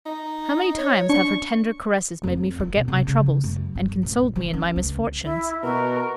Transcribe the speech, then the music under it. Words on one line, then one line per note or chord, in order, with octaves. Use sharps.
How many times have her tender caresses made me forget my troubles, and consoled me in my misfortunes.
D#4
C#5
D4 C#6
F2
F4
B2
C3
C#3
F#2
G2
A#1
F3
C#4
C#2
E4
B2 F#4 A#4